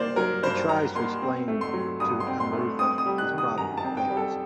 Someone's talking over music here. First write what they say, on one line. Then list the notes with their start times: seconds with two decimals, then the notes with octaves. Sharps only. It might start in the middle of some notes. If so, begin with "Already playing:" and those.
He tries to explain to Amrutha his problem but fails.
Already playing: A#3 D4 C5 D5
0.16 F#3 A#4
0.43 G2 C5
0.69 D4 A#5
0.95 A#3 C6
1.22 C4
1.48 A3
1.61 C6
1.74 F#3
2.00 G2 D#6
2.20 C6
2.27 C4
2.40 C6
2.53 A3
2.79 C4 D#6
2.98 D#6
3.06 G3
3.18 F#6
3.31 D#3
3.38 D#6
3.57 F#2 A#5
3.77 A5
3.84 C4
3.97 G5
4.10 G3
4.17 A4